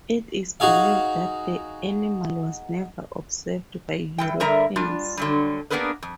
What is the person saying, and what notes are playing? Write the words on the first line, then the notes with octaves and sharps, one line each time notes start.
It is believed that the animal was never observed by Europeans.
D#4 F#4 G#4 F5
E3 G3 G5
G2 D3 G3 A#4 E5 A#5
G3 D4 F4
D3 F#3 G3
A#3 B3 D4 G#4 A#4 B4
F2